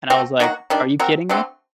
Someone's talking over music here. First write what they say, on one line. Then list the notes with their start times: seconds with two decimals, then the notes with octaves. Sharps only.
And I was like, "Are you kidding me?"
0.10 A3 C4 F#4
0.40 D#3 F#3 A#3 F#4
0.70 D#3 G3 D4
0.99 F#3 C4 F#4 A#4
1.29 D3 F#3 A3 C4